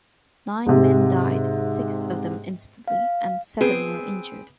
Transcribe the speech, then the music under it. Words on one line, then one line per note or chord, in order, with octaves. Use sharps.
Nine men died - six of them instantly - and seven were injured.
G#2 C3
F5
B3 C4 G#4